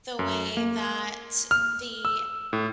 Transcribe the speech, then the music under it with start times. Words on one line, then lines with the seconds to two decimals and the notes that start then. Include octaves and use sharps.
the way that the
0.19 F#2
0.57 A#3
1.51 F6
2.05 E6
2.53 A2